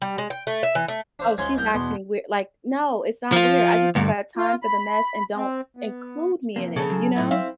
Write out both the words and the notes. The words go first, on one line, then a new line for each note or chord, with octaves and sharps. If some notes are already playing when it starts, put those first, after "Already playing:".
"Oh, she's acting weird" like, "No, it's not weird, I just don't got time for the mess, and don't include me in it," you know?
G3
G#3
G5
A3
E5
E3
A3
D4 C5 E5 F5
C#2 G#2 C#4 C6 G#6
C2 A#4 G6
E2 B2 B3 C6
F3 F4
D2 G2
F4
B5
C4
B3
F2 C3 A#3
C#3 C#4 A4
F#3 A5
A2 D#4 E4
C4 E4 F5